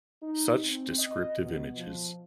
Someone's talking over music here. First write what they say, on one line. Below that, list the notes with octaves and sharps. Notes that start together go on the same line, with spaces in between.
Such descriptive images.
D#4
C4
D#5
B2
F3